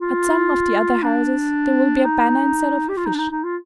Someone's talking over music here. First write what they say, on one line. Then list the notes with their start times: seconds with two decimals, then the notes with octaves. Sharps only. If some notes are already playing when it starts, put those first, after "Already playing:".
At some of the other houses there will be a banner instead of a fish.
0.01 F4
1.03 D4
2.04 D#4
2.89 G4
2.97 F4
3.06 D#4
3.14 D4
3.18 D#4
3.31 D#4
3.44 F4